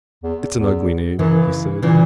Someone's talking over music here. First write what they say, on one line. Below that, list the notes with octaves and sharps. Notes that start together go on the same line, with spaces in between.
"It's an ugly name," he said.
E2
E2
F#2 C#3 E3
A#2 C#3 E3